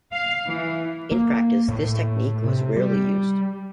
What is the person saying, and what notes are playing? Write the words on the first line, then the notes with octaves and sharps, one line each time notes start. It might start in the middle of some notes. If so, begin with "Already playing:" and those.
In practice this technique was rarely used.
F5
E3
A#3
A2
C3
G3